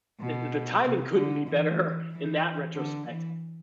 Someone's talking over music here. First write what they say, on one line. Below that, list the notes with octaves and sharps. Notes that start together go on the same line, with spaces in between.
the the the timing couldn't be better in that retrospect
B2
C3
D3
E3
E3
D3
E3